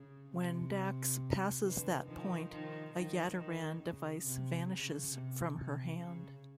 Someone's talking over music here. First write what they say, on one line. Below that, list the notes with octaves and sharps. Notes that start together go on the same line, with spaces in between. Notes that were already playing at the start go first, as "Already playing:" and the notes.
When Dax passes that point, a Yaderan device vanishes from her hand.
Already playing: C#3
C3
D3 E3
D#3 F3
D#3 F3
D#3 F3
D#3
C#3
C3
C#3
C3
C3
C#3